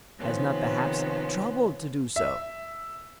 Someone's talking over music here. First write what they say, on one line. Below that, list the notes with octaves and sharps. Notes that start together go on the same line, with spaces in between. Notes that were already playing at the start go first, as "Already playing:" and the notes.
Has not perhaps troubled to do so.
C3 D#3 F3 B3 C#4
E5